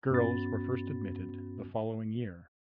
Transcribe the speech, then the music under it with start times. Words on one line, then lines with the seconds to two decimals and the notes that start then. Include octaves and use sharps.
Girls were first admitted the following year.
0.10 G2 B3 C#4 F#4 B5 A6